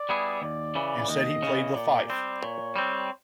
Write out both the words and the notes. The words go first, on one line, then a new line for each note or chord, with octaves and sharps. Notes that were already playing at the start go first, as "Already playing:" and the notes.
And said he played the fife.
Already playing: D5
G3 B3 E4 G#4
D#2 D5
C#3 E3
D#2 D#5
C#3 E3
A#2 D5
G3 C4
A#2 C#5
G3 C4